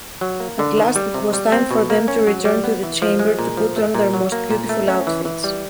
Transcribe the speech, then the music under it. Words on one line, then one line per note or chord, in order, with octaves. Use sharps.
At last it was time for them to return to the chamber to put on their most beautiful outfits.
F#3
A#3
D3
D#3
G3
C3
G3
C4
B2
A#3
C#4
F#3
G3
B3
E3
F3
G#3
A#2
F3
A3
A#2
F#3
A#3
A#2
A3
C#4
E3
E3
G3